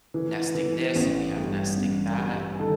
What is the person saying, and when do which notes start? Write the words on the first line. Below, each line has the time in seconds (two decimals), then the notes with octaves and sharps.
nesting this and we have nesting that.
0.14 E3
0.55 E3
0.96 A1
1.37 G2
1.78 A1
2.18 G2
2.59 D#3 A4